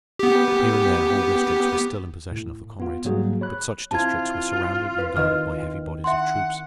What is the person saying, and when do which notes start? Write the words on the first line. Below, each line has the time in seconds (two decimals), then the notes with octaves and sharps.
Here and there whole districts were still in possession of the comrades, but such districts were surrounded and guarded by heavy bodies of troops.
0.19 B3 G4
2.32 A2
2.80 B3 F4
3.05 G#2 F#3 G3 A#3 F#4 G#4
3.41 C#5 B5 F#6
3.91 C4 E4 F4 A5 G#6
4.98 B4
5.17 D#3 B4 D#5 F6
6.04 E5 F#5 C6